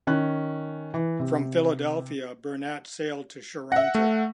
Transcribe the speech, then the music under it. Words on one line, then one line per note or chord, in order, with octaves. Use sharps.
From Philadelphia Burnett sailed to Charente.
D#3 C#4 F#6
E3
C3
E5 F#5 A#6
A3